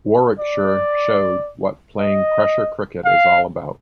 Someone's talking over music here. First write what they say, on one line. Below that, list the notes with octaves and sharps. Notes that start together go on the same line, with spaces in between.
Warwickshire showed what playing pressure cricket is all about.
D5
D#5
F5